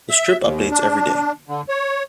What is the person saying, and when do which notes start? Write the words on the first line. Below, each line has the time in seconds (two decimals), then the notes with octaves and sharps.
The strip updates every day.
0.10 E5
0.41 D#2
0.71 D4
1.48 D3
1.69 C#5